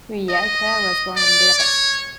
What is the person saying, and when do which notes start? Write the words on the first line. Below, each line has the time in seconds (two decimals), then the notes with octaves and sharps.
Gyurta was born in Budapest.
0.29 D#5
1.16 D5
1.58 C#5